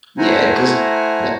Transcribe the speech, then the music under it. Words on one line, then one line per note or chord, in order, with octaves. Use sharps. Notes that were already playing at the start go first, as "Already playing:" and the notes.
Yeah, 'cause Yep.
A3 E4 C5 F#5 G#5 A#5